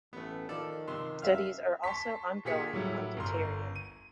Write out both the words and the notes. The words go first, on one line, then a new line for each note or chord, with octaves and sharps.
Studies are also ongoing on deuterium.
A1 A3 B3
D#3 F3 A4 D5
F2 C3 C6
F#2 E5 F5 F6
A5 C6 C#6 B6
A#2 G4 G#4 B6 C#7
A2 F#3 G3 E4
G1 A#4 C6
D#7